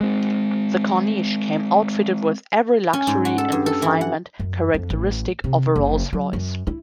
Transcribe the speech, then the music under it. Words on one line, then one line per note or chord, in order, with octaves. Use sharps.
The Corniche came outfitted with every luxury and refinement characteristic of a Rolls-Royce.
G#3 C4
C#4
G#2
F#4
A4
G2
A4
E3
F#5
F#2
F2
A1
C3
F#1
F#3
F#2
E4